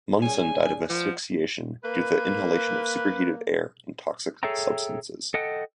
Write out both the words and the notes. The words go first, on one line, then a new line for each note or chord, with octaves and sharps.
Munson died of asphyxiation due to the inhalation of superheated air and toxic substances.
G3 C#4 G#4 G#5
F3 B3
A#3 B4
G#4 A4 C#5 E5 G5 A#5
A4 D#5 F#5 G5